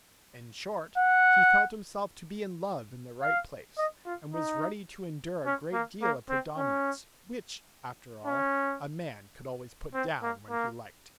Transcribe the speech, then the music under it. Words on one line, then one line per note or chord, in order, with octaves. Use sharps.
In short, he felt himself to be in love in the right place, and was ready to endure a great deal of predominance, which, after all, a man could always put down when he liked.
F#5
F5
D#5
F4
D#4
C#4
A#3
A#3
C4
C#4
C#4
C4
A#3
A#3